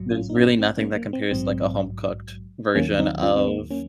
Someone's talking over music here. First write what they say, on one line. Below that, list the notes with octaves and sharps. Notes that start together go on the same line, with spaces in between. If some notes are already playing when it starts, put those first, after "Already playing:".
there's really nothing that compares to, like, a home cooked version of
Already playing: A#1 G#2 F#3
C#4 F4
D#4
C#4 F4
C4
A#3 C#4
A#3
C4
A#1 G#2 F#3 C4
D#2 D#3 F#3 A#3 C#4
C4 D#4
C#4 F4
C4
A#3
A#3 C#4